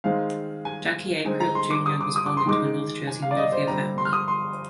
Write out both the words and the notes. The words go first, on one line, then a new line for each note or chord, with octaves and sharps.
Jackie Aprile Junior was born into a North Jersey mafia family.
D#3 G#3 C4 D#4 F5
G#5
D3 G#3 C4 D#4 G#5
A#5
C6
D6
D#6
D6
D#6
D6
C6
D#3 G#3 D#4 D6
G#5
F5
D5
D#5
C5
D3 G3 C4 A#5
C6
F6
D#6
C6